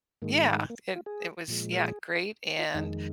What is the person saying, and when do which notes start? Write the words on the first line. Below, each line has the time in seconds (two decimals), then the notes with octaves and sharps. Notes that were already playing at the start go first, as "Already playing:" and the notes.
Yeah, it it was yeah, great, and
0.22 G#2 D#3 G#3 A#3
0.54 G#3
0.70 A#3
0.96 F4
1.06 G#4
1.48 A#2 F3 G#3
1.72 A#4
1.80 G#4
2.59 F4
2.74 F2 D#3 G#3 D#4